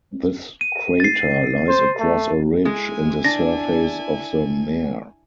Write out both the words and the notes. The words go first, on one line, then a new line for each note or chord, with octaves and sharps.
This crater lies across a ridge in the surface of the mare.
D#7
A6 C7
C5
A3
G#3 E4 G#5
D4 A#6